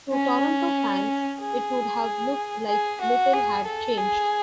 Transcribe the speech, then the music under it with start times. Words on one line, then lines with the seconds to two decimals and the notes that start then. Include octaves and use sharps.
To Toronto fans, it would have looked like little had changed.
0.12 C#4
1.41 G#4
2.69 G#4
3.01 F#4
3.33 G#4
3.66 A4
3.97 G#4